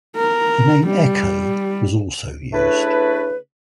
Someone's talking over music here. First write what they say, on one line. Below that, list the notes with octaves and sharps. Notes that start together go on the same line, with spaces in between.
The name "Echo" was also used.
A#4
G3
C#3 A3 D4 E4 B4